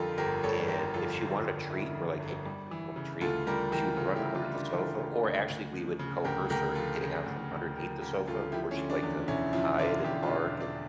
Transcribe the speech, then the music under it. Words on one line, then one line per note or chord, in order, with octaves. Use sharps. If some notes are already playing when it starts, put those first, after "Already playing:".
and if she wanted a treat, we're, like, "Hey, d do you want a treat? She would run under the sofa or actually we would coerce her getting out from underneath the sofa where she'd like to hide and bark and
Already playing: F2 D3 G3 F4 G4 A4 A#4
G1 G4 A#4
G3 A4 C#5
D3 G4 A#4
F2 F4 A4
G1
G3
D3 E4 G4
F2
G1
G3
E3
C#3
D2 F4 A4
G3 G4 A#4
E3 G4 A#4
C#3 F4 A4
E4 G4
D2
D4 F4
G3
D4 F4
E3 F4 A4
C#3
D2
D2
F3
C#3
D2 G4 A#4
D2 G4 A#4
F3 F4 A4
C#3
D2
D2
F3 G4 A#4
C#3 G4 A#4
D2 F4 A4
F3 E4 G4
C#4
D3
D4
E2
E1 C#4 E4
F3 C#4 E4
D3 D4 F4
E2 E4 G4
D4 F4
E1
D4
F3
D4